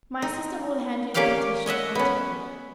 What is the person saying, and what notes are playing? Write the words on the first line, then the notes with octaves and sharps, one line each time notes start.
"My assistant will hand you the petition and tell you."
D#4
A#3 C#4 G4 D5 F5 G5
C#5 D#5 E5 F#5
B3 C#4